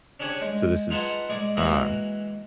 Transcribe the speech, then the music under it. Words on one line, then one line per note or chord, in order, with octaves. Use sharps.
So, this is, um,
C#4 D4 G4 G#4 C#5 G#5
G#3
D#4 F4 G#4 B4 F#5 A5
G#3 G#4 D5
E3 G#3 A#3 E4 F#4